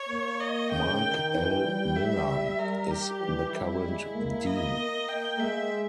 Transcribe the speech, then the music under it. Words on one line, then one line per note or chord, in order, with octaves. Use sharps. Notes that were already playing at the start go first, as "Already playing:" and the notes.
Marc L. Miller is the current Dean.
Already playing: C#5
A#3
D#5
C#3 G5
D#3
E3 G5
G3
E5
G3 A#4
G4
E3
G3 E4
G#3
A#3
D#5
A#3
G5
G#3 E5